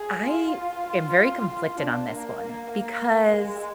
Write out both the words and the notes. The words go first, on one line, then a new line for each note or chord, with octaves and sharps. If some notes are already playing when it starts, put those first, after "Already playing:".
I am very conflicted on this one, because
Already playing: G#4
F4
F4
D4
A#3
A#3
A#3
G#3